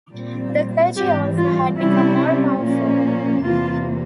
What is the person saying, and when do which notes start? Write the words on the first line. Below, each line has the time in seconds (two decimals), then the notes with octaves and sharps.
The clergy also had become more powerful.
0.13 A#2 G3 C4
0.96 G#2 E3 G3 C4 G4
1.37 F4
1.78 C3 G3 C#4 E4
2.62 A#2 F3 A#3 C#4
3.44 E2 C3 E3 A#3 F4